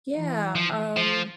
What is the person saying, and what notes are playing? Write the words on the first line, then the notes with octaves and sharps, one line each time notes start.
Yeah, um,
E3
F3
F3